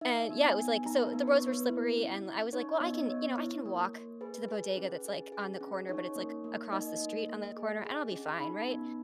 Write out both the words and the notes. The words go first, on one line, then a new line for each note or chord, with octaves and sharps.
and yeah, it was, like so the roads were slippery, and I was, like, "Well, I can, you know I can walk to the bodega, that's, like, on the corner, but it's, like, across the street on the corner, I'll be fine, right?"
D#4 E5
B3
G#5
B3
D#4 A#5
B4
B3
C#5
B3
B4
E4
C#4
C#4
D#4 C#5
B3 D#5
B3 C#5
E4
A#3
A#3
G#4 B4
G#4
C#4
G#4
G#4
C#4
D#4 C#5
A#3
A#3
D#4 D#5
A#3
A#3
G#4
G#4
C#4
D#4 B5
B3